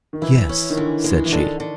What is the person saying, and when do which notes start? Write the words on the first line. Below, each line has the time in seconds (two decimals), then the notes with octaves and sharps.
"Yes," said she.
0.13 D#3
0.22 E3 E4
0.49 C#4
0.70 D#3
0.77 D3 E3
1.04 G#3
1.25 E3
1.32 D3 D#3
1.60 D3